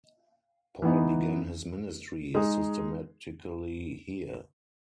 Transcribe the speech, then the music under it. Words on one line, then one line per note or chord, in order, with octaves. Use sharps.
Paul began his ministry systematically here.
E3 B3 D#4
G#3 D#4 G#4